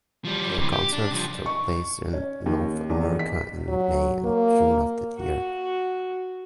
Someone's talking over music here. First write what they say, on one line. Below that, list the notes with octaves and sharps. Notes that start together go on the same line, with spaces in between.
The concerts took place in North America in May and June of that year.
F3 G3
C3 E3
G4
D4
C2 F3
C#6
C#4
D#2
E2
B6
F#3
A#3
F#4